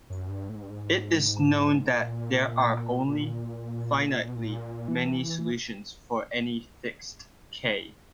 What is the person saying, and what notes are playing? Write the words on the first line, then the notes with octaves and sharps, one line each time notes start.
It is known that there are only finitely many solutions for any fixed "k".
F#2
G2
A2
G#2
G2
G#2
A#2
A#2
B2
A#2
A2
A#2
E3